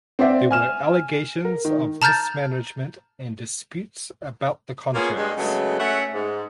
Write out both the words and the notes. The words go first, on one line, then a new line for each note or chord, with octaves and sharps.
There were allegations of mismanagement and disputes about the contracts.
C4 C5 D5 E5 F#5
G#5 F6 E7
A#4
D#3
A5 A#5 F6 G6 A6
A#3 B3 C#4 F4 G#4
G2 G#3
C#3 F#3 G#3 A3 B3
A3 C#4 E5 F#5
G#2